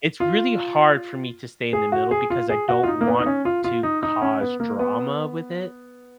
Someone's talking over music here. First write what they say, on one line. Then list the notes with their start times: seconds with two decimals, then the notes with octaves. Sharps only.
it's really hard for me to stay in the middle because I don't want to cause drama with it?
0.20 F4
1.73 G#4
1.92 F#4
2.11 G#4
2.30 F4
2.49 G#4
2.69 F#4
2.83 F4
2.88 D#4
3.01 A#3
3.07 B3
3.19 D#4
3.26 C#4
3.45 F4
3.64 F4
3.83 D#4
4.03 D#4
4.22 C#4
4.41 B3
4.60 A#3
4.79 B3